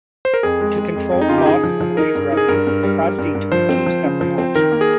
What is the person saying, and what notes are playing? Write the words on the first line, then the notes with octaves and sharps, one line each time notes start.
To control costs and raise revenue, Prodigy took two separate actions.
C5
A#4
F2 G#4
G#3
G#3
F2
F2
D#4
C#3 F4
G4
D#4 G#4
F3
F3
D#4 A#4
G2
D#4
G#4
G2 A#4
G2
G3
G3
G2
G2
F3 C5
C4
F3
C#3
F3
C4
D#3 A#4
A#3
G#4